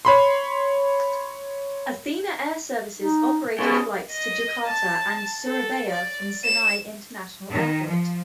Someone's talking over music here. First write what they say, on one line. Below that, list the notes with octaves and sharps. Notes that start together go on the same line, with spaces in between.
Athena Air Services operated flights to Jakarta and Surabaya from Senai International Airport.
C#5 B5 C6
D#4
C#3 B3 G#4
D#5
A5
A4
D5
E7
D#3
F3